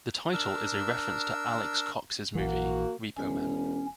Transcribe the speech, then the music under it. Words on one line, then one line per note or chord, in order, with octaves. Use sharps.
The title is a reference to Alex Cox's movie "Repo Man".
D4 A#4 E6
A#1 E3 A#3 F#4
E1 C#4